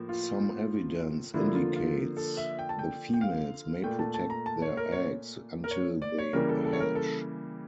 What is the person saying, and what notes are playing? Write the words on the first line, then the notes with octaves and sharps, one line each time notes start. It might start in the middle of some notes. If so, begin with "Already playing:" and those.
Some evidence indicates the females may protect their eggs until they hatch.
Already playing: A2 F3 A#3
F4
D3 F3 A#3 E4
F4
F4
A4
E5
G5
A5
G5
G5
F5
A#2 A3 G5
A5
A5
A#5
A5
C#5
A#4
C#5
A#4
C#5
D5
C#5
C#3 E3 G3 A#3 A#4
A4
A4
C#5
A#4
A4